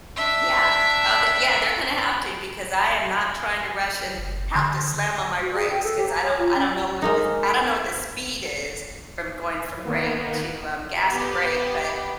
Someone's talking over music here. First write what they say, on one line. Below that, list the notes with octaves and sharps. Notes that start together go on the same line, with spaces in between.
Yeah, uh, the yeah, they're gonna have to because I am not trying to rush and have to slam on my brakes 'cause I don't I don't know what this I don't know what the speed is from going from brake to, um, gas to brake, but
D4 E5
F#1
D3
F#4
G#4
G5
A4
G4
A#5
C#5
F4
C#4
G#3 A#3 D#4
D#3 A#3 B3
B3 G4